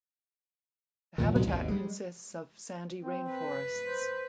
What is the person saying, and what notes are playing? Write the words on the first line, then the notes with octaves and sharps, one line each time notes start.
The habitat consists of sandy rainforests.
E2 A#2 D#3
A2 F#3 G#3 B3
G#1 D#2 B2 D#3
G3 G#3
C4
B4
C5